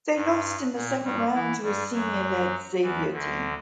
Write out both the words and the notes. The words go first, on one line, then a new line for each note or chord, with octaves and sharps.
They lost in the second round to a senior-led Xavier team.
G2
A#2
G2 G3
E3 E4
G2 G3
F#2 F#3
E2 E3
D2 D3